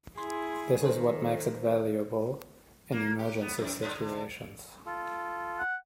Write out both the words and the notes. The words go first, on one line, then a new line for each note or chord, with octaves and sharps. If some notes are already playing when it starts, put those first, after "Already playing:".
This is what makes it valuable in emergency situations.
E4 G#4 C6
D#3 A4 C5
A#3
G4
B3
F2
F#2
D3
F4 A4
F#5